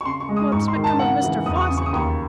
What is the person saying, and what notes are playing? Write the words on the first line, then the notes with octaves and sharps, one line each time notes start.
"What's become of Mr Fosset?"
C#6
C#3 C6
C#6
G#3
D#6
G#2 C#6
C6
D#3
A5
C#3 F#5
E3
E2 D#6
C#6
D#6
C#3
C#6
D#6
D#2 C#6